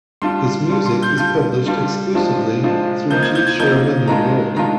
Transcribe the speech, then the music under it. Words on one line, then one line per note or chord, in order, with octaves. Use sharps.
His music is published exclusively through G. Schirmer, New York.
G3 D4 F4 C6
G3 D4 F4
C6
G6
G3 D4 F4 G6
G3 D4 F4
F3 G#3 D4 F4
F3 G#3 D4 F4
F3 A#3 D#4 G6
G#6
G6
G#6
F3 A#3 D#4 G6
D#3 G#3 D4 F4 A#5
D#3 G#3 D4 F4 A#5